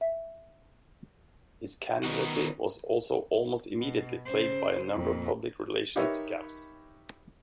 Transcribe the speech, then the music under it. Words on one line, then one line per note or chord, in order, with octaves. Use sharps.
His candidacy was also almost immediately plagued by a number of public relations gaffes.
E5
D#3 B3 D#4 F#4 F#5
B2
C#3 C5
F2 A#2
D#4 G4 A#4 B4 C#5 E5